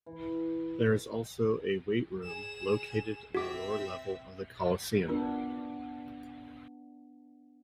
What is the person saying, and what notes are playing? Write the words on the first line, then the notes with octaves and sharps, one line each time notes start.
There is also a weight room located in the lower level of the Coliseum.
E3
G#4 E7
C4 F#4 E5 D6
B3 D4 F4 A#4